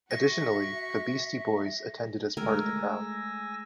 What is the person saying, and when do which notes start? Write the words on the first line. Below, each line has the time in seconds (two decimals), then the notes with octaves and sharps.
Additionally, the Beastie Boys attended as part of the crowd.
0.11 F#4 E5 C#6 A#6
2.37 G#3 A3 A#4 G#5 E6 A#6